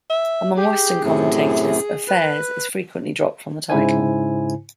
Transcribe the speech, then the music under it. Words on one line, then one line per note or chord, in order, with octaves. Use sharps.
Among Western commentators, "Affairs" is frequently dropped from the title.
E5
G4 G#4
F#2 A2 C3
B4
G#2 C#3 E4 C5 G#5